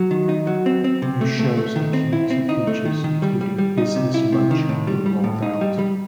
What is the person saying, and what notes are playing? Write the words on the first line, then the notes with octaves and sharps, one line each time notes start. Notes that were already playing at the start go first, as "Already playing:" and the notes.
New shows and community features including Business Lunch were rolled out.
Already playing: F#3
D#3
D#4
F#3
C4
C4
C3
A3
A3
A3
D#3
C4
E4
C4
D#4
A3
D#3
D#3
G3
G3
G3
D#4
C3
E4
C3
D#3
A2
G3
G3
A2
D#4
G3
G3